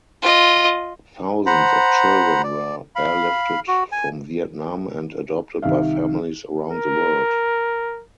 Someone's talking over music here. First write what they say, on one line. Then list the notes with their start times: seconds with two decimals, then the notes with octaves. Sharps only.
Thousands of children were airlifted from Vietnam and adopted by families around the world.
0.22 F4 D#5
1.46 C5 F#5 A#5 B5
2.44 D5
2.96 F5 B5
3.68 F#4
3.92 G#5
5.62 C2 D#3 E5 F5
6.73 A#4